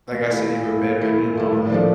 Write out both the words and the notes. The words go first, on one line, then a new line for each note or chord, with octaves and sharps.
like, I said, you were bedridden and all that.
A#2
A3 E4 A4
A#2
A3 E4 A4
A#2
A3 E4 A4
A#2
A3 E4 A4
A2
F3 A#3 D4 A4